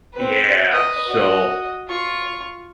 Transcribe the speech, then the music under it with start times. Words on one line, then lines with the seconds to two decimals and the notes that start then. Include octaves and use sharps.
Yeah, so
0.13 C4 B4
0.71 B4 D#5
1.07 F#4 D#5
1.88 F4 C#6